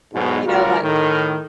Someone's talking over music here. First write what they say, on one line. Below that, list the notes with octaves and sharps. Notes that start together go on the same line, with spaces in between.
you know, like
B1 E2 G#2 B2
D2 G3 F4 F#4 A#4
A2 D#3